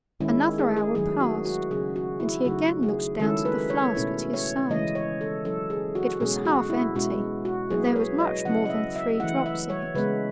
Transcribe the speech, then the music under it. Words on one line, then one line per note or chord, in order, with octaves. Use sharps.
Another hour passed, and he again looked down to the flask at his side; it was half empty, but there was much more than three drops in it.
D#3 G#3 C#4 E4
G#4
G#4
D#3 F#3 A3 G#4
F#4
F#4
C#3 F#3 C#4 G#4
F#4
E4
C#3 F#3 A3 D#4 F#4
G#4
D#3 G#3 C#4 E4 A4
B4
C#5
B2 A3 C#4 E4
C#5
C#3 E3 G#3 C#4 E4 D#5
C#5
A4
F#3 C#4 E4 A4
G#4
F#4
B2 G#3 C#4 G#4
F#4
E4
B2 G#3 C#4 E4 F#4
F#4
F#3 B3 E4 G#4
B4
C#5
D#5
C#3 F#3 C#4 E4 F#5
D#5
E5
E5
E3 A3 E4 F#5
E5
C#5
C#3 G#3 B3 B4